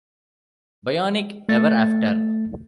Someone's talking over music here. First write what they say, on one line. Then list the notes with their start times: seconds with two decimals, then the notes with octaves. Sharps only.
Bionic Ever After?
1.49 A3 A6